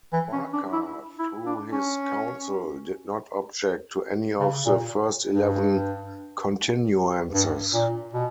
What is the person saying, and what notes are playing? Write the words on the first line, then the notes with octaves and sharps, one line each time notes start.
Barker, through his counsel, did not object to any of the first eleven continuances.
E3
C#4
D4
E4
E4
D4
C#4
C#3
A#2
G2
G2
A#2
B2